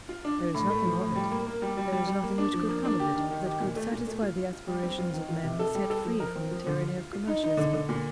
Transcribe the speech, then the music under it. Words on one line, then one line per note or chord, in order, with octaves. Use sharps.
There is nothing of it--there is nothing which could come of it that could satisfy the aspirations of men set free from the tyranny of commercialism.
F4
D4
D4
A2
A3
F3
A2
G3
A#3
A#3
G3
G3
G3
G3
A#3
D4
F3
A#3
D4
G4
D#3
D#3
G4
A#2
A3
A#2
A3
F4
F4
F4
G3
C4
F4
D#3
F4
C3
A4
G3
A4
F3
A#4
C4
F3
D3
F4
F4
F4
D#4
D#4
D3
D3
A#2